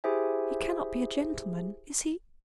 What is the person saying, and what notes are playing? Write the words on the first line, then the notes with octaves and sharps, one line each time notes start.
He cannot be a gentleman--is he?'
E4 G4 G#4 C5 E5 G#5